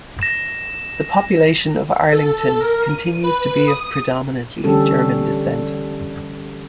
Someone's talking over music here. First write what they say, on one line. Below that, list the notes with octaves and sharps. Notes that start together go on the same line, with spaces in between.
The population of Arlington continues to be of predominately German descent.
A#6 E7
A4
A#4
D#7
B4
D#6
D3 E3 G3 C#4 G4 A4